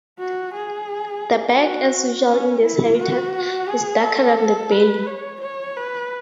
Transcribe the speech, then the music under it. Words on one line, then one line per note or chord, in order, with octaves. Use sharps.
The back, as usual in this habitat, is darker than the belly.
F#4
G#4
F#4
C#4
E4
F#4
G#4
A4
B4
C#5
C#5
B4